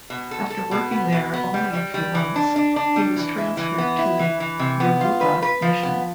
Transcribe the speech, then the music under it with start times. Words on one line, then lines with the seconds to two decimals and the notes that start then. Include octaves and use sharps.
After working there only a few months, he was transferred to the Yoruba mission.
0.10 B2
0.31 A4
0.50 A4
0.71 B2
0.92 B3
1.12 B2
1.33 B3
1.54 G3
1.73 G3
1.94 G3
2.15 E3
2.36 D4
2.56 D4
2.76 D4
2.96 G3
3.16 E3
3.38 E4
3.57 E3
3.78 B3
3.99 E4
4.19 E3
4.40 E3
4.59 C3
4.80 B3
5.01 F4
5.21 B4
5.42 B4
5.62 F3
5.83 B3